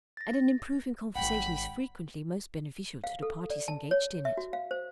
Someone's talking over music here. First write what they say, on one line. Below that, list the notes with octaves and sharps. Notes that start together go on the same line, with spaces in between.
"And an improving conversation is frequently most beneficial to the parties engaged in it."
A6 A#6
D#1 G#1 F#5 G5 B5
F5
A4
D5
A5
C#5
E5
F#4
F5
C5